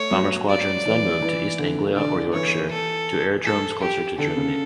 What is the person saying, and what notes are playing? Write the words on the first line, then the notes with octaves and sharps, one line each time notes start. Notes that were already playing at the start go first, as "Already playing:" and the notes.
Bomber squadrons then moved to East Anglia or Yorkshire to aerodromes closer to Germany.
Already playing: A3 C#5
F#3
D5
E3
E3
D3
D3 D5
E3 C#5
A4
A4
G4
D3 A4
C#3